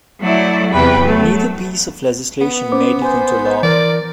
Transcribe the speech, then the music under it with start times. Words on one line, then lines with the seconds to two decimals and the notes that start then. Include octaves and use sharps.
Neither piece of legislation made it into law.
0.21 F#3 A3 E4 D5
0.73 E2 C3 B4 G5 B5
1.03 F#3 A3
2.41 B3
2.72 C#4 C5 D6
3.02 C5 G#5
3.63 E3 A#4 D5